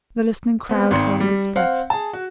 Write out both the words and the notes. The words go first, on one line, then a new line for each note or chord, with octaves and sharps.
The listening crowd held its breath.
B3 C4
G#1 D#3 C6 C#7
G3
C4 F5 F#5
G#4 A5
F#4